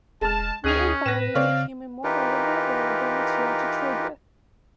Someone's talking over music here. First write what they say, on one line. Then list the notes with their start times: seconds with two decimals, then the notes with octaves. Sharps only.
Wheat and barley became a more readily available material to trade with.
0.21 E1 G#3 A5 F6
0.64 D2 D#3 C#4 G#4 F#6 D#7 F7
1.06 A2 B4 A#6 E7
1.35 C#3 C4 C#5 D5 F5
2.04 E3 D#4 F4 G4 A#4 B4